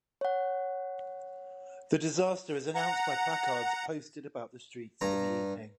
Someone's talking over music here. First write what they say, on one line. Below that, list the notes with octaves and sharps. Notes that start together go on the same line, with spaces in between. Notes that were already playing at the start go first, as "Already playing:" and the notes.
The disaster is announced by placards posted about the streets in the evening.
C#5 F#5
F#5 A#5
G2 A#5